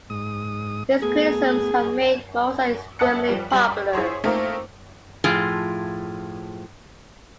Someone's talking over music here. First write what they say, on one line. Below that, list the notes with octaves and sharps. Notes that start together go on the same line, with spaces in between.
His criticisms have made Moussa extremely popular.
G#2 D#6
A3 B3 G#4
E5 F#5 A5 D#6 F#6 C#7
F3 G3
G3 F#7
E4 G#4 C5 C#5
A3 A#3 C4 D#4 F4 A#4
A2 F3 F4 G#4